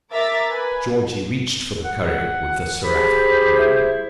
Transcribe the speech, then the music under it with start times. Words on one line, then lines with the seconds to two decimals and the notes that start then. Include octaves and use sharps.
Georgie reached for the curry, with a seraphic grin.
0.10 A#4 E5 A#5 D6 A6 B6
0.48 B4 G#5
1.85 F#5
2.84 G4 G#4 C5 B5
3.59 E4